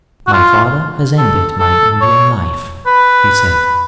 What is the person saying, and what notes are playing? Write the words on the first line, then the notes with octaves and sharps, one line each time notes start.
"My father has ended my Indian life," he said.
F#4
F4
A4
A4
C#5
B4